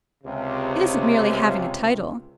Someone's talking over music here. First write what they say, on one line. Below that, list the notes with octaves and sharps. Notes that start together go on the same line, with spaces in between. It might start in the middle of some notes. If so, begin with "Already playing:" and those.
It isn't merely having a title.
C#2 C3